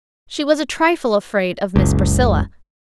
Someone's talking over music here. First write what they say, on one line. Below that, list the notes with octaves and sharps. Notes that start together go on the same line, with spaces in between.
She was a trifle afraid of Miss Priscilla.
F#1 C#2